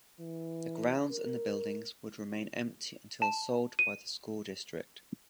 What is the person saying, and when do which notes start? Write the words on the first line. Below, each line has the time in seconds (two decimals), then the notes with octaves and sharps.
The grounds and the buildings would remain empty until sold by the school district.
0.19 E3
1.11 A#4
3.22 A5
3.79 D#7